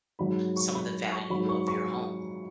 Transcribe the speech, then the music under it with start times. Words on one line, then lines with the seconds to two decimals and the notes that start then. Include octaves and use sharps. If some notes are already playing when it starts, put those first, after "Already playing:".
some of the value of your home.
0.19 G#2 F#3 B5
0.56 C#6
0.75 B5
1.12 C#6
1.30 G#2 F#3 B5
1.49 C#6
1.68 C#6